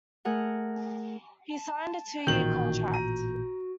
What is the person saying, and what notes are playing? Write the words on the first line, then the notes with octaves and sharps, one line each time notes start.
He signed a two-year contract.
A3 G#4 A#4 F#5
A5
A1 A#2 D#3 F#4 G6 F#7
A#5 D#7